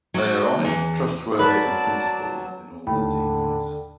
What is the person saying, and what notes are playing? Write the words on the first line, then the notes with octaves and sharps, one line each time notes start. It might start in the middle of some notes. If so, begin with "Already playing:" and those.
They are honest, trustworthy, and principled in all their dealings.
F#3
E2
F#3 A#4 B4 D5 A5
D#2 A2 D3 G5 B5